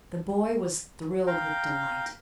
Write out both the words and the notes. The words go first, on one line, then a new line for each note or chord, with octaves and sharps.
The boy was thrilled with delight.
F5 G5 A#5